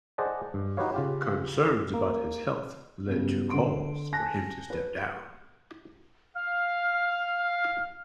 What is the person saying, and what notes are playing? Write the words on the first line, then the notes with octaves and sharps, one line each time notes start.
Concerns about his health led to calls for him to step down.
G#4 C5 D5 D#5 F#5 A5
G2
D#4 F#4 G4 B4 C#5 F5
C#3 F4 G4
A#3
G2 C#3 F#3 B3
D3 C6 D7
G#5 A5 F#6 A#6
B4
F5 F6